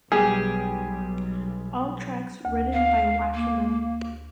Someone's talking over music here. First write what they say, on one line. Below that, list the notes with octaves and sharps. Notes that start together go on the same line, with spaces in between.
All tracks written by Wakeman.
B1 G3 B3 G4 G#4
D2
F5
A#3